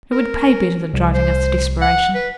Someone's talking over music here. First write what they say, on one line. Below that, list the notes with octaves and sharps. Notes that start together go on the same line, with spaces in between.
It would pay better than driving us to desperation.
A#4
C2
C5
F#5
B4